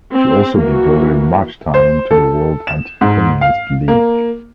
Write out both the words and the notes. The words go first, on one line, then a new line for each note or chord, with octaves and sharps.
She also devoted much time to the World Anti-Communist League.
C4
E3 A#3 F#4
C5
A4
E7
G#2
F5
A#3